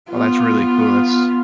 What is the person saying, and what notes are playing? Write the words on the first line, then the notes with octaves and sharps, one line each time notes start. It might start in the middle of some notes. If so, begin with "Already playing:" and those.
Well, that's really cool. That's
B3 F4